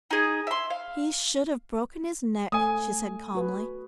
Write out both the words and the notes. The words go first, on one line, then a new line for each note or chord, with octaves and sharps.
"He should have broken his neck," she said calmly.
D#4 G#4
E5 C6
F5
A3 G#5 D#6
F#4 B4